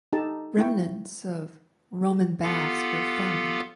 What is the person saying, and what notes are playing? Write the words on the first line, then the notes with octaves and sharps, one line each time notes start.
Remnants of Roman baths were found.
D#4 G4 A4 A5 A#5
E4 G5 C#6
B3 F4 G4 A4 F5 F#5